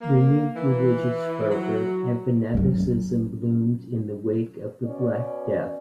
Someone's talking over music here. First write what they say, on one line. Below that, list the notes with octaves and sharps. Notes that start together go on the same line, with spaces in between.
Renewed religious fervour and fanaticism bloomed in the wake of the Black Death.
A#3
E3
F#3
F#3 C#4
B2 C#4 D5